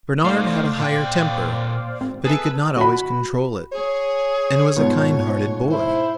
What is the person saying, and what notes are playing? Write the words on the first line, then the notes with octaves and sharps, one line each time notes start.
Bernard had a high temper, but he could not always control it, and was a kind-hearted boy.
A3 D#4 C5 D5 F5
A#2 G5
G#1 C4
G#4 A4 B4 E5
F#4 B5
G#4 C#5
G#2 B2 F4
E4 C5